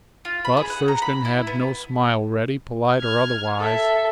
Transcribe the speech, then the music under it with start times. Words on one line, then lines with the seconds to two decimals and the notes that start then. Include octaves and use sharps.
But Thurston had no smile ready, polite or otherwise.
0.25 F4
0.45 B5
0.57 G#4
0.70 F#5
0.88 A#5
1.02 B5
1.25 E4
1.47 B3
2.98 F6 G#6
3.58 A4 E5